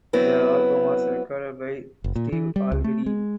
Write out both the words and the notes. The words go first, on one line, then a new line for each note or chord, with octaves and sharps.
The album was recorded by Steve Albini.
F#3 B3 C4 E4
F#1
A#2
E3
G3
C#2
A3
G#3